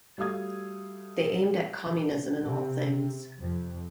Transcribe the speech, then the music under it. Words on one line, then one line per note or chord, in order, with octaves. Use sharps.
They aimed at communism in all things.
G3 A3 F#4 F5 D#6 G#6
C3
F2